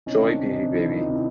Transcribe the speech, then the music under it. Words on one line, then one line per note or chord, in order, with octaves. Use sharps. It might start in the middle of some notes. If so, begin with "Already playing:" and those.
Joy, beauty baby.
C3 C#4 D#4
D#3
C4 D4
C3
C#4 D#4
C3
D#3 D4 E4
D#3
D#4 F4
C3
E4